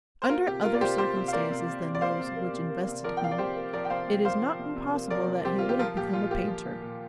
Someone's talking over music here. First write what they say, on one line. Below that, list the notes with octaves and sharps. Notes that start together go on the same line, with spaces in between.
Under other circumstances than those which invested him, it is not impossible that he would have become a painter.
C5
A#3 F4 A#4
C3 G4
A#3 F4 A#4
D5
C3 G4 C5
A#3 G4 C5
C3
F5
A#3 A#4 D5
C3
A#3
C3
D5
A#3 C5 F5
C3
A#3
C3
A#3
C3
F3 A#4 D5
G5
C3 F5
D5
C3 G4 C5
A#3
F3 A#4 D5
G5
C3 C5 F5
C3
A#3 C5 F5
F3
C3
C3
A#3
F3 A#4 D5
C3
C3 G4 C5
A#3 F4
G4
F3 F4 A#4
A#2 G4
A#2 F4
A#3 G4
F3
A#2
A#2